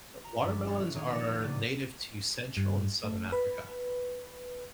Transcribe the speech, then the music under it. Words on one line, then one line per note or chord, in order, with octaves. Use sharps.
So, watermelons are native to Central and Southern Africa.
A#5
G2 F3 C#4 D4 G5 B6
F#4 G#4 A4 C#5 E5 F5
D#1 D#3 C#4 G#4 F5
B2 F3 G#3 B3 F#5 C#7
D#1 C#3 A#3 D5 D7 D#7
G2
A3
B4